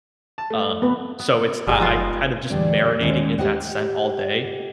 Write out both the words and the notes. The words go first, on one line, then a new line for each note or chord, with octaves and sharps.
um, so it's I I kind of just marinating in that scent all day.
A5
A3
B3 C4 B4
B3
F#1 G3 G#3 D#4
F3 B3 F4
E2 D3 G3 D4 D5
D#2 G#3 C#4
G4 G#4 C5 D#5 F#5 G5